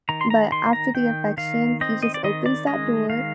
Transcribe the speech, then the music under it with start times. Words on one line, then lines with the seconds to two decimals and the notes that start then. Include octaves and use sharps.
but after the affection, he just opens that door
0.09 D#3 A#5
0.21 C6
0.30 A#5
0.52 D#3 C6
0.73 A#5
0.94 D#3 G5
1.38 D#3 F5
1.81 C4 D#5
2.03 D#5
2.14 D5
2.24 D#3 D#5
2.46 D5
2.67 G#3 D#5
3.10 D#3 F5